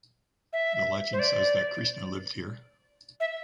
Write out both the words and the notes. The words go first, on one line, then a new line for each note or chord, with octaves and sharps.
The legend says that Krishna lived here.
E5
C5
D5
E5